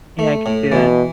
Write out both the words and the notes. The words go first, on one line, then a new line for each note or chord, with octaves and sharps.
Yeah, I can see that.
A3
A2
B2 E3